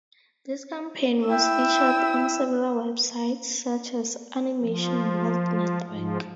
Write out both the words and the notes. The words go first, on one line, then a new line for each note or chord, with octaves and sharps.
This campaign was featured on several websites such as Animation World Network.
E4 G5 E6
F3
G#2 F3